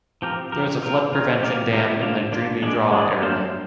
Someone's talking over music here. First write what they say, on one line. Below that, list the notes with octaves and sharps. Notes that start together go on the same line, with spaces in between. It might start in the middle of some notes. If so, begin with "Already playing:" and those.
There is a flood prevention dam in the "Dreamy Draw" area.
F3 C4 G4 A#4
F3 C4 G4 A#4
C4 F4 A#4
C4 F4 A#4
C4 G4 A#4 D5 F5
C4 G4 A#4 D5 F5
A#3 D4 F4
A#3 D4 F4
G#3 D4 G#4 D5
G#3 D4 G#4 D5
A#3 D4 G4 C5 F5